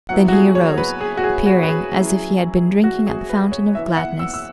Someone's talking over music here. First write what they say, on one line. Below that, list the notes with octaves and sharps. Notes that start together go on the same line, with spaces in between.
Then he arose, appearing as if he had been drinking at the fountain of gladness.
F#3 B3 E4 F#5
F#4
G#4
C#5
B4
G#4
F#4
G#4
F#4
B4
G#4
F#3 C#4 E4
F#4
G#4
B4
C#5
E3 B3 E4 E5
F#5
E6
E6